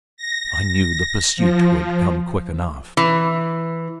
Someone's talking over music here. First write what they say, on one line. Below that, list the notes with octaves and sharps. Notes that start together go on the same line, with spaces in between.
I knew the pursuit would come quick enough.
A#6
F3
E3